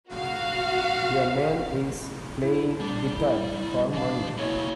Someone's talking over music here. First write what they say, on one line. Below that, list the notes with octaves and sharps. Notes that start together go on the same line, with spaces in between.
A man is playing guitar for money.
F#4 F5
E4
G3 D4
E4
E4
E3 D4 F5
A#3 E4 F#4 C#5